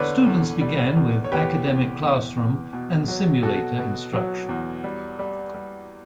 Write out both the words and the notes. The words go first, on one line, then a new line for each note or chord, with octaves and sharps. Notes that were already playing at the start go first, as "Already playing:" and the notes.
Students began with academic classroom and simulator instruction.
Already playing: E2 D3 B4 C#5 D5
E2
G3
E2
C#5
E2 G4 B4
E2
E2
E2
B2
F#3
B2 F#4 A4
B2
F#3
E2
G3
G3
G3